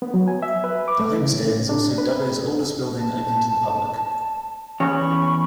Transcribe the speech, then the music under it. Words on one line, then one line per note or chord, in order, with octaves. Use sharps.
The homestead is also Dubbo's oldest building open to the public.
B3
F#3
G#5
E5
B4
D6
A3
C#3
A2
D4
B4
A5
E2 C#4 B5 C#6